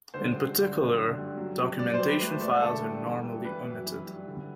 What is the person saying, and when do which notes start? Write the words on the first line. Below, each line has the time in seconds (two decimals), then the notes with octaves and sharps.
In particular, documentation files are normally omitted.
0.14 D3 C5
0.34 G2
0.56 D3
0.76 F#2
0.97 D3
1.18 G2
1.38 F#3
1.59 G2
1.79 F#3 D5
1.94 C5
2.00 G2
2.06 B4
2.20 A3 B4
2.32 C5
2.41 A3 D5
2.62 D3 A4
2.83 G2
3.03 E3
3.23 G2
3.45 E3 B4
3.65 F#2
3.86 E3
4.07 G2
4.27 D3